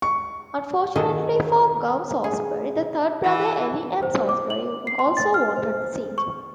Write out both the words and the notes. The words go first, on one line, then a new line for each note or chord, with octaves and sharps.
Unfortunately for Gove Saulsbury, the third brother, Eli M. Saulsbury also wanted the seat.
C#6
A#2 D#3 F#4 G#4 A4 D#5
G#4
E3
C5
D6
F#7
C7
C6
A6
F6
C5
C#6